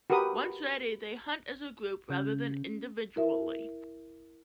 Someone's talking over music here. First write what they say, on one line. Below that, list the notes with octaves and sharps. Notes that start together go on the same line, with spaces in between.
Once ready, they hunt as a group rather than individually.
F#4 G4 A#4 B4 D#6
C#3 C#4 G6
E4 A#4 E5